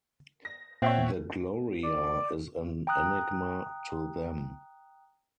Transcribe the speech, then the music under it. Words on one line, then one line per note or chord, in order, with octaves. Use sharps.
The "Gloria" is an enigma to them.
A#6
A#2 C4 C#5 E5 F#5
D5
G5 A#5 D#6 F#6